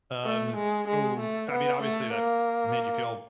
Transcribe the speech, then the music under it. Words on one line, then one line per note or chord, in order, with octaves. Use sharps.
Um, so, I mean, obviously that made you feel
A3
G#3
G#3
A3
B3
A3
A#3